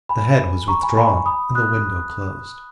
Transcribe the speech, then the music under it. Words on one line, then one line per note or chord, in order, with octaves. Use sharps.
The head was withdrawn and the window closed.
G#5 B5
A#5 C#6
G#5 B5
G#5 B5
B5 D#6
D#6 F#6